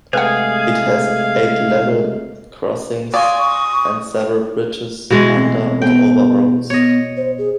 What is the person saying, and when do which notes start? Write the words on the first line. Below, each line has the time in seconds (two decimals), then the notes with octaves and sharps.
It has eight level crossings and several bridges under or over roads.
0.13 C3 G#3 A3 G#4 B4 F5 F#5
3.14 D5 F5 G#5 C6 C#6 D#6
5.10 B2 E3 G#3
5.35 C4
5.82 B3 G5
6.70 B3 C#5 D#5
7.17 C5
7.38 G#4